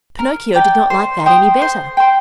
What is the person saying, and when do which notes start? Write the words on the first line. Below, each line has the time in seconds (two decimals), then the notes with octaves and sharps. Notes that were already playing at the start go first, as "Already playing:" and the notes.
But Pinocchio did not like that any better.
0.19 A#4
0.54 D5 G5
0.90 C5
1.26 G5 C6 D#6
1.62 C5
1.97 G5 C6